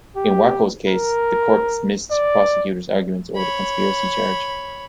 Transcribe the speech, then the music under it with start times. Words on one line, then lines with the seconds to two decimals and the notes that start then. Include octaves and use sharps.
In Wako's case, the court dismissed prosecutors' arguments over the conspiracy charge.
0.16 G4
0.88 A#4
2.11 D5
3.36 C#5 B5